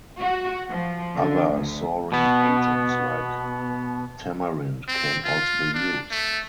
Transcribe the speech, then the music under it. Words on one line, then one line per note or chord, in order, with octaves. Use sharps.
Other souring agents like tamarind can also be used.
F#4
F3
D3
D2
B2 B3
C4
F4
D4
A3